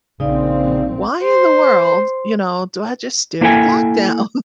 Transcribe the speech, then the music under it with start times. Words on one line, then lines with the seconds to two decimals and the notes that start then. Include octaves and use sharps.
why in the world, you know, do I just stare the clock down?"
0.20 A#1 C#3 C4 D#4 D5 F5
1.23 C5
3.41 A#3 D4 E4 A4 G5 G#5